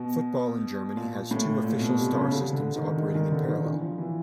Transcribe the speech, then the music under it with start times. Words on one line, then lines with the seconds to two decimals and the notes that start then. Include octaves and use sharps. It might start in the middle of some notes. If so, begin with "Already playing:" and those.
Football in Germany has two official star systems operating in parallel.
Already playing: B2
0.97 A#2
1.31 A2
1.64 A#2
1.80 B2
1.97 C3
2.15 C#3
2.30 D3
2.53 D3
2.76 D#3
2.98 D#3
3.15 D#3
3.31 D3
3.48 D#3
3.65 E3
3.81 F3
3.98 E3